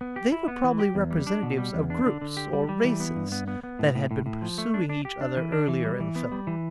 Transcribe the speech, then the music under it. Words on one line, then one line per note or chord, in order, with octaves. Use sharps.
They were probably representatives of groups or races that had been pursuing each other earlier in the film.
B3
G4
E4
B3
E3
G4
E2
G3
D4
B2
G3
E2
D4
D3
D3
G4
G3
G3
E3
B3
G2
B3
B3
B3
A2
A2
A2
A2
F3
A3
D4
D4
G4
D4
E3
D4
E3
G3
E3
B3
G3
E3